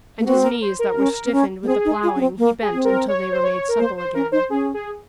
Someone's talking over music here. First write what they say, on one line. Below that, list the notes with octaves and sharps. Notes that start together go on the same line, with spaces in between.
And his knees that were stiffened with the plowing he bent until they were made supple again.
A#3
C4 F#4
A#4
C5
A#4
C#4
C4
C#4
A#3
C4 G#4
D#4
F4
C#4
C4
A#3
G#4
C4
A#4
C#5
C5
C#5
A#4
A#3 C5
C5
C#4 A#4
D#4 C5
C#4 G#4
G#4